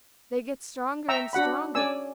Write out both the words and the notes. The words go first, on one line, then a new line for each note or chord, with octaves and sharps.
They get stronger and stronger.
E5 G5 A#5 C#6 E6
D4 F#4 F#5 B5
C#4 D5 G#5 E6